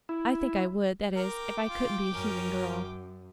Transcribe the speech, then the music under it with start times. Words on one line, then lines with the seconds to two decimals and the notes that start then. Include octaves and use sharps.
I think I would--that is, if I couldn't be a human girl.
0.09 E4
1.16 A#4 G5 D6
1.67 F4
2.14 F#2 C#4 A#4